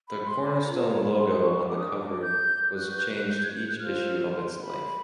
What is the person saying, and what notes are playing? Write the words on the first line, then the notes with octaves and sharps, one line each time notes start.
The "Cornerstone" logo on the cover was changed each issue of its life.
B5
C6
B5
F4 A#4 C#5 A#5
A5
A#5
B5
C6
C#6
D4 G4 A#4 D6
D#6
D6
G6
F#4 B4 F#6
G6
F#6
F#6
G6
G#6
G6
F#6
F4 A4 C5 F6
C6
B5